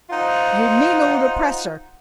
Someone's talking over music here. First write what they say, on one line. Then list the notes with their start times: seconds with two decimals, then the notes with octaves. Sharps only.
"You mean ole oppressor!"
0.10 D#4 F4 C5 F#5